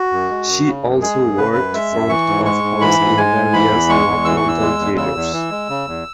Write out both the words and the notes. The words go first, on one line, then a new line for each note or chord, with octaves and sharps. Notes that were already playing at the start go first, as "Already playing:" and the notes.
She also worked front of house in various north London theatres.
Already playing: F#4
F#2
G#3
F#2
C#3
F#2
G#3 G#4
F#2
C#3 B4
F#2
G#3 E5
F#2
E3 C#6
G#2
G#3 C#6
G#2
E3 B5
G#2
G#3 G#5
G#2
E3 B5
E2
G#3 C#6
E2
E3 E6
C#6
E2
E6
G#3
E2
C#3 E6
E2
E3
G#3
C#3
E2